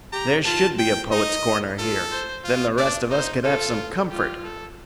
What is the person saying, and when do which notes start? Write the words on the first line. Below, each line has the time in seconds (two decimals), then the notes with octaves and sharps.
There should be a Poets' Corner here. Then the rest of us could have some comfort.
0.12 G4 A#5
0.45 F4 A5
0.79 G5
1.12 D#4 D#5
1.78 F4 A4
2.11 C5
2.44 F4
2.77 D4 D5
3.11 D#4 C5
3.44 F4 A4
4.10 F4 G4
4.44 A4